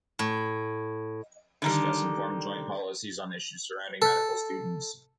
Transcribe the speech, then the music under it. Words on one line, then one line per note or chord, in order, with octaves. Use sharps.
Discuss and form joint policies on issues surrounding medical students.
A2
D3 D#3 G3
A4